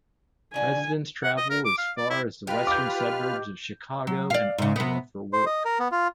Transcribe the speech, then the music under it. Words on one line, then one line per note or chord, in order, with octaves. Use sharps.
Residents travel as far as the western suburbs of Chicago and Ottawa for work.
B2 D3 E3 G#5
F#5
D#5
A#4
D6
F5
D5
E4
D#4 F4 G4 B4 F6
D6 G6
F#3
D5 F5
G#2 C#3
C3 B3
C5
D#5
A#4
B3
F4